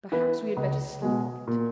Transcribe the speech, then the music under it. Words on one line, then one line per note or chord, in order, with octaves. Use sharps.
Perhaps we had better sleep on it.
E3 B3 E4 B4
C#2
B2 G#3
A#2